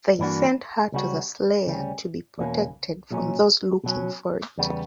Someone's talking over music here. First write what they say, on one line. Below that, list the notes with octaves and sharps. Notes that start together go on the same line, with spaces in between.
They sent her to the Slayer to be protected from those looking for it.
G2 E3 A#3 D4 F#4
C#2 C#3 G3 C#4 F#4
D2 C#3 G3 C#4
E2 B2 A#3 C#4
B1 A#2 F#3 C#4
B2 F#3 C#4
E2 C#3 G3 B3